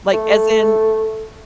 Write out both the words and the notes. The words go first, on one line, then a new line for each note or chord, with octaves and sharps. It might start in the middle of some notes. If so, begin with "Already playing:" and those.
Like, as in
A3